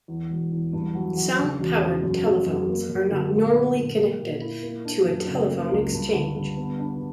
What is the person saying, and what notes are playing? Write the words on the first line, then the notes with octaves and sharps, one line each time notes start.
Sound-powered telephones are not normally connected to a telephone exchange.
E2
E1
E2
G2
F#3
F#3
C#3
E1
C#3
F#2
F#2
F#2
A#3
F#2
D3
A#2
A#3
A#2
A#3
A#2
E4
A#3
D4
F#2
C#3
A#3
C#2
G2
D3
G2
B3
D4